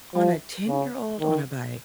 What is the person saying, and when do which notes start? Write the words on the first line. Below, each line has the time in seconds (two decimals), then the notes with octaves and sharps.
On a ten-year-old on a bike.
0.15 F3
0.67 C#3
1.20 D#3